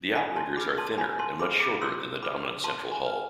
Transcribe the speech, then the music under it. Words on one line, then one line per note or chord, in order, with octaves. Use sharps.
The outriggers are thinner and much shorter than the dominant central hull.
E4 G#5 B5
A5 C6
G#4 B4 B5 D6
A5 C6
E4 G#5 B5
A5 C6
G#4 B4 B5 D6
B5 D6
F4 C6 E6
B4 B5 D6
F4 A5 C6
G#5 B5
B4